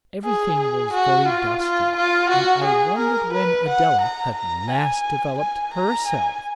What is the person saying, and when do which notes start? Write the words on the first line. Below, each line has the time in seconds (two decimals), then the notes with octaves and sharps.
Everything was very dusty, and I wondered when Adela had last developed herself.
0.25 G#4
0.60 G#4
0.93 F#4
1.28 F4
1.62 F4
1.97 F4
2.30 F#4
2.65 G#4
2.99 A#4
3.33 B4
3.68 F#5
4.02 A#5
4.36 A#5
4.71 G#5
5.39 G#5
5.74 A#5
6.07 G#5